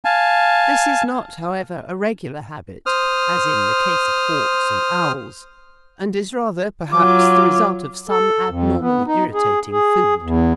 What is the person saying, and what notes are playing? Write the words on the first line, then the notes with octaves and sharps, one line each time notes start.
This is not, however, a regular habit, as in the case of hawks and owls, and is rather, perhaps, the result of some abnormally irritating food.
F5 G#5 A5
C5 D#6 F6
F#3 F4 D6
A4
F2
B3
D#4
G#4
G#4
E2